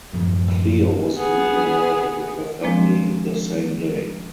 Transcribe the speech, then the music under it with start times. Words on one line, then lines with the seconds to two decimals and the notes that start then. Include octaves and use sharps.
Cleo was reunited with her family the same day.
0.13 A1 F#2 F3
1.16 B3 G#4
2.62 D#3 F3 G#3 A#3 C4 D4